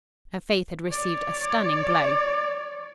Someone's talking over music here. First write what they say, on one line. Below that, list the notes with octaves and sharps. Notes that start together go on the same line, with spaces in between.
Her faith had received a stunning blow.
C#5 D5